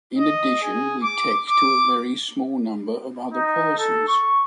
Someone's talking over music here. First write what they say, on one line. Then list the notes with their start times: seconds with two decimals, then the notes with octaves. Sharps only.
In addition we text to a very small number of other persons.
0.18 D#5
0.62 G#4
1.03 D6
1.50 D6
3.33 D#4
3.78 A4
4.08 C#6